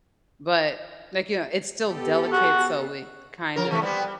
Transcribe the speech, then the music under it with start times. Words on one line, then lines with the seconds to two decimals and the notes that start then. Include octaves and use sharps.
but like, you know, it's still delicate, so it kind of
1.87 B3 G4 A4
2.32 F#4
3.56 F3 A#4
3.71 E3 A3 B3
3.82 G3 B3 C4
4.04 G3